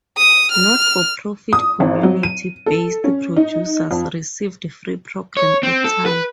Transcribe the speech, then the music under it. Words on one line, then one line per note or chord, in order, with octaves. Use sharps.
Not-for-profit community based producers received free program airtime.
D#6
F6
D#6
G#1
F#3
D#7
A4
C#4
D#4
F2
C#5
C4
A4
B4